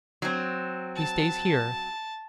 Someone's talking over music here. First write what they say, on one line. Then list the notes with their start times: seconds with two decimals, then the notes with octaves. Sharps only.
He stays here.
0.22 F#3 C4
0.96 A5